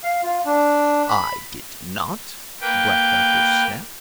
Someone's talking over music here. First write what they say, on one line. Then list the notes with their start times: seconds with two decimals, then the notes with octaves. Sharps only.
"I did not!" the Black Doctor snapped.
0.03 F5
0.23 F4
0.46 D4
1.08 B5
2.61 A#3 B4 G5